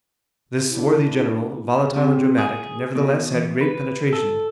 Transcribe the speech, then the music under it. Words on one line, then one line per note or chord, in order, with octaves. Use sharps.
This swarthy general, volatile and dramatic, nevertheless had great penetration.
D4 E4
C3
G#4
B2
E2
B4
A4